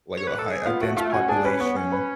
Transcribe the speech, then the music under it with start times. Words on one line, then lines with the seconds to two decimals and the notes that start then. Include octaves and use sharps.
like, a high a dense population,
0.17 C#5
0.27 B4
0.39 A4
0.50 G#4
0.66 B3 F4 F5
0.81 A3 F#4 F#5
0.97 A3 F4 F5
1.12 C#4 F#4 F#5
1.28 D4 G#4 G#5
1.44 C#4 B4 B5
1.60 B3 C#5 C#6
1.77 C#4
1.92 B4 B5